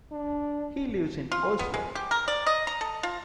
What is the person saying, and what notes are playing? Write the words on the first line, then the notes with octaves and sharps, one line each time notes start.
He lives in Oslo.
D4
F4
B3
G#3
G4
A#4
D5
D#5
A#5
A4
F4